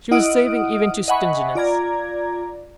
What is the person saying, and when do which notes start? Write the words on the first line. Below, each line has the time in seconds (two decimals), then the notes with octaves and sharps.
She was saving even to stinginess.
0.11 E4 D#5 F#5 D#6 F6 D7
1.08 D#5 E5 F#5 G#5 B5 C#6
1.55 F4 D5 A#5 G#6